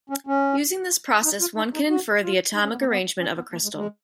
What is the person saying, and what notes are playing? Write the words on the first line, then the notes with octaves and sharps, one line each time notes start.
Using this process, one can infer the atomic arrangement of a crystal.
C#4
C#4
D#4
F4
D#4
D#4
F#4
F4
D#4
C#4
B3
A#3
B3
C#4
B3
A#3
G#3
G#3